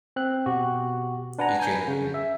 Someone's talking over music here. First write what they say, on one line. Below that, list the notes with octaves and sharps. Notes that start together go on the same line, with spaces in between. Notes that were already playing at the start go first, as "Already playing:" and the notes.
You can n
C4 F#6
B2 F#4 G4
D4 B4 F#5 G#5 A#5
G#5 G6
C#3
E5